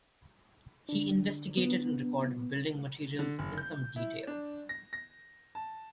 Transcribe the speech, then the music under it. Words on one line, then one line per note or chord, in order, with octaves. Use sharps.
He investigated and recorded building materials in some detail.
D3 D4
B3
D3
F#1
G6
E4
D4
A#6
A#6
A5